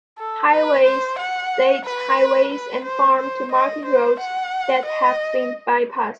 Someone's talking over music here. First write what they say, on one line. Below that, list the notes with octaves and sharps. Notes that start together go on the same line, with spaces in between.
Highways, state highways and farm to market roads that have been bypassed.
A4
B4
C5
F#5
B4
B4
C5
C5
D#5
C5
F#5
D#5